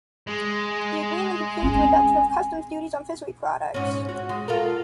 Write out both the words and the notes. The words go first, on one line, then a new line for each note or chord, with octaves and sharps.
The agreement includes a reduction of customs duties on fishery products.
G#3
C4 C#4 G#5
G#2 C#4
F#4
G#3
F4 A4 A#4